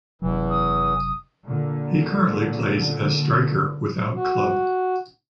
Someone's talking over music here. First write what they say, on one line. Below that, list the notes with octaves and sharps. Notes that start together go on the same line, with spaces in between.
He currently plays as striker without club.
F#1 E2 C3 E3 F#3
D#6
A#2 D3
F#4